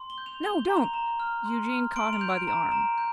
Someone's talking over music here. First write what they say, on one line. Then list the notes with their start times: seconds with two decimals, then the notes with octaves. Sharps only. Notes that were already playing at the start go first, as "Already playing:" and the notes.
'No, don't!' Eugene caught him by the arm.
Already playing: C6
0.10 G7
0.18 G6
0.26 F7
0.43 G6 G7
0.69 A#5
0.77 F7
0.94 A#5
1.20 F6
1.45 C6
1.70 F6
1.96 C6 D7
2.13 F7
2.21 G6
2.30 D7
2.47 A#5
2.72 A#5
2.98 G6